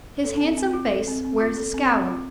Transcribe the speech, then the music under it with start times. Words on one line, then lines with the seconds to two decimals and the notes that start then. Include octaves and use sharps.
His handsome face wears a "scowl."
0.24 A4
0.41 C4
0.57 C4
0.73 F4
0.91 A4
1.08 C4
1.24 C4
1.41 F4
1.57 A4
1.74 C4
1.90 C4
2.07 F4